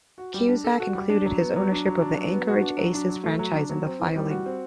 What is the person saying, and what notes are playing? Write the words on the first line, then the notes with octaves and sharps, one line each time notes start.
Cusack included his ownership of the Anchorage Aces franchise in the filing.
F#4
G3
D4
A4
F#4
G3
D4
F#3
B3
F#3
D4
F#3
D4
F#3
B3
F#4
D4
F#3
D4
F#3
A3
F#3
D4
F#3
C4
E3
G3
F#4
C4